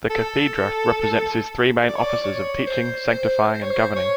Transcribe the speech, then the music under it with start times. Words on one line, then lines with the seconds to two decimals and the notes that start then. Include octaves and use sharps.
The Cathedra represents his three main offices of teaching, sanctifying and governing.
0.10 A4
1.88 D5
1.96 C#5
2.02 D5
2.24 C#5
2.67 C5
3.10 C5
3.53 C5
3.62 C#5
3.71 C5
3.96 C#5